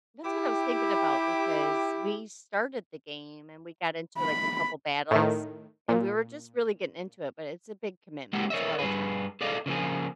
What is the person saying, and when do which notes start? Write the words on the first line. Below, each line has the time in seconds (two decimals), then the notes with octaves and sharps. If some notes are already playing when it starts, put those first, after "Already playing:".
That's what I was thinking about because we started the game, and we got into, like, a couple battles, and we were just really getting into it, but it's a big commitment, it's a lotta time.
0.24 E4 G4
4.18 B5
5.11 A2 D#3
5.88 A#2
8.33 G#3 A#3 G4 F#5
8.50 A#4 C#5 D#5 E5
8.79 G2 B2 G#4 B4
9.41 G#4 A4 D5 D#5 F5
9.66 C#3 F3 A#3 G#4